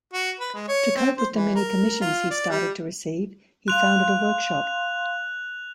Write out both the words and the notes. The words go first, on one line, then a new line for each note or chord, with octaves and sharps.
To cope with the many commissions he started to receive, he founded a workshop.
F#4
B4
G#3
C#5
C4
C5
E3
A#4
F4
D5
G3
F5 C6 F#6 F7